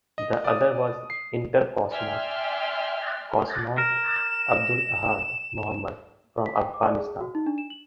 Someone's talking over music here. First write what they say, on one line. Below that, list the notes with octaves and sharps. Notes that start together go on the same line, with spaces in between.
The other was Intercosmos cosmonaut Abdul Ahad Mohmand, from Afghanistan.
D#5
D5 D#6
C7
D5 E5 G5 G#5 C6 F6
A#4 E7
B6
G5
D6
D5
G#4
F#4
D#4
D4
E7
F#7